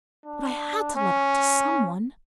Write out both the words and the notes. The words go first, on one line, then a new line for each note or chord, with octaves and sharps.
But I had to let off to some one.
D4
C#4